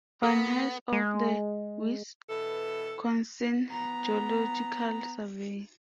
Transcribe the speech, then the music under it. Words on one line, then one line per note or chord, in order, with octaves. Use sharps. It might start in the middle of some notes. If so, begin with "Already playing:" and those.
Van Hise of the Wisconsin Geological Survey.
A#3 B3 A4
G#3
B2 E3 A4
B3 A#5